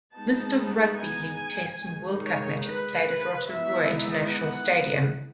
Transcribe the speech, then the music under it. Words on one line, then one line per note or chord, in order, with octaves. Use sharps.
List of rugby league Test and World Cup matches played at Rotorua International Stadium.
G#3 B3 D#4 A5
G#5
D#3 G#3 D#4
C#5
B4
B4
E3 G#3 B3 D#4 E5
F#5